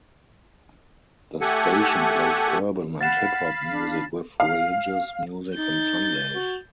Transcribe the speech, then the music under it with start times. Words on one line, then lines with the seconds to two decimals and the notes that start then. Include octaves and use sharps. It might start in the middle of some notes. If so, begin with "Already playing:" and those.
The station played urban and hip-hop music with religious music on Sundays.
1.41 A3 G4 A4 F#5 G#5
3.01 F5 F#5 B5 A6 E7
3.70 D4
4.40 F5
5.56 D#4 G6 A6
6.34 F#4